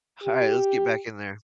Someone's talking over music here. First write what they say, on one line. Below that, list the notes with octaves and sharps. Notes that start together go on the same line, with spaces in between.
Alright, let's get back in there.
G4